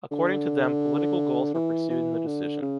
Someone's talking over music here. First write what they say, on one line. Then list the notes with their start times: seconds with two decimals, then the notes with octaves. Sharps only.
According to them political goals were pursued in the decision.
0.11 D3
1.54 E3
1.90 E3
2.27 D3
2.62 C#3